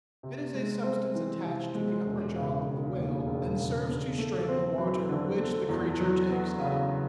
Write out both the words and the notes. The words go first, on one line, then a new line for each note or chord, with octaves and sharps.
It is a substance attached to the upper jaw of the whale, and serves to strain the water which the creature takes up.
C3
G#3
C4
E3
C3
G#3
E1
C#3
E1
D#2
E1
C#3
D3
A3
C4
F#3
D3
A3
E2
F#3
B3
C#3